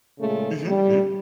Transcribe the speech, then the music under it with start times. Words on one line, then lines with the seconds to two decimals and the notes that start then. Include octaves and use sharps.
Mhm. Mhm.
0.20 A#2 C#3 G#3 A3
0.67 G3